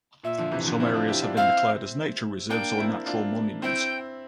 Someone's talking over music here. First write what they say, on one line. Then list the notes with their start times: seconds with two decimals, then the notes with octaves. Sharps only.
Some areas have been declared as nature reserves or natural monuments.
0.24 A#2 E5
0.38 D3 F3
0.52 C3 E3
0.66 D3 F3
0.80 C4 E4
0.94 D4 F4
1.08 E4 G4
1.22 D4 F4
1.36 C4 E4 F5
2.50 A#3 D4 G5
2.78 C4 E4
3.06 D4 F4
3.62 C4 E4 G5